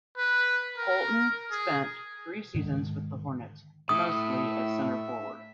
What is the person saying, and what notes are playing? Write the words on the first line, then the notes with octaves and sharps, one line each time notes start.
Holton spent three seasons with the Hornets, mostly at centre forward.
B4
A#4
G#4
G#2 D3 D#3 G#3
A2 E5 D#6